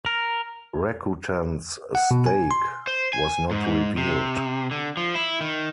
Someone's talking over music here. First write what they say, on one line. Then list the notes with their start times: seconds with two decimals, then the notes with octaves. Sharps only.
Rakuten's stake was not revealed.
0.06 A#4
1.95 F#5
2.11 B2
2.26 G#5
2.51 C6
2.87 C5
3.13 G#5
3.51 G#2
3.97 C3
4.71 D3
4.97 F3
5.15 E4
5.41 D#3